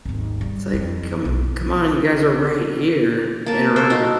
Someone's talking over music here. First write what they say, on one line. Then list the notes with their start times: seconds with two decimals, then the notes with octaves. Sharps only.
It's, like, come come on, you guys are right here in in a room.
0.05 G#1 D#2
0.41 G3
0.74 F2
1.25 B1 A3
3.46 A#3 A5
3.76 A4 A#4 C5 E5
3.90 D#4 F#4 A4